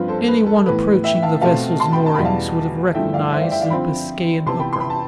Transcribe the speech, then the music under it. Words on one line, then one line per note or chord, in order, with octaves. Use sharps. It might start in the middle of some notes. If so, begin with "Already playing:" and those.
Any one approaching the vessel's moorings would have recognized a Biscayan hooker.
Already playing: G2 F3 C4 F4 B4
A4 C5
A4
B4
A4
A2 E3 B3 B4
E5 G5
F5 A5
B2 A3 C4 F5 A5
A5 C6
G5 B5
A5
E2 B2 G3 B5
F5 A5
G2 D3 F3 A3 E4 E5 G5
D5 F5
C5 E5
D5 F5
E5 G5
D5 F5
D3 F3 C4 F4 G5 B5
C3 E3 B3 A5 C6
G5 B5
C6
B5
A5